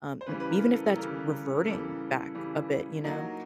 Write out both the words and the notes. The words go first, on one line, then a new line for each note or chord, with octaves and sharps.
um, n even if that's reverting back a bit, you know?
C5
C#3 E3 G3 B4
B4
A#4
A4
A4
C#3 E3 G3 A#4
A#4
C#3 E3 G3 A4
C#3 E3 G3
F#3 A#3 D#4